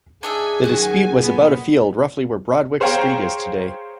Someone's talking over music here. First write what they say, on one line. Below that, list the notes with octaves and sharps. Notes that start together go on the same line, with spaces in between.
The dispute was about a field roughly where Broadwick Street is today.
D4 D#4 G#4 E5 G#5
F#2 D#3 F#4 F#5
A#2 B3
G#4 C5 C#5 F5 G5 A#5